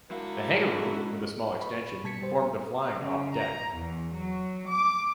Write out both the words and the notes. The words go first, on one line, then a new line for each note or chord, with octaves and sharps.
The hangar roof, with a small extension, formed the flying-off deck.
G#3 D4 E4 F#4 A#4 F5
B4 B5 C#6
B2 G3 A5 G#6 B6 C#7
G3 G4 C5
C#3
A#5
E2
F#3
D6